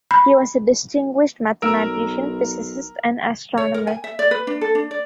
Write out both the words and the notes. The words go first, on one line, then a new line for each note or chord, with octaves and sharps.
He was a distinguished mathematician, physicist and astronomer.
B5
B1 A#4 E6 D7
C#5
A#4
G#5
E5
D5
B4
D4
A4
D4
D5